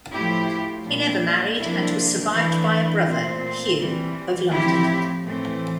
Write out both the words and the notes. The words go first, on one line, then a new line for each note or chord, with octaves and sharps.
He never married, and was survived by a brother, Hugh, of London.
A2 F3 A3 E4 G4
A#2 G3 D4
C3 F3 A#3 D4 E4
E3 A3 D4 E4
A#2 A3 C4
E3 G3 C4
A2 F3 C4 E4 G4
A2 E3 A3 C4